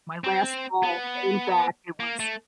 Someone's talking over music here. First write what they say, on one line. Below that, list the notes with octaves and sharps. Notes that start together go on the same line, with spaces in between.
my last bowl came back, it was
C4
B3
A#3
A3